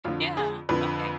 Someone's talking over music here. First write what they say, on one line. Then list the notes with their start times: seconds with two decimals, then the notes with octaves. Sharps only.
Yeah. Okay.
0.04 F2 D3 F3 F4
0.37 G#4
0.69 F2 D3 F3 B4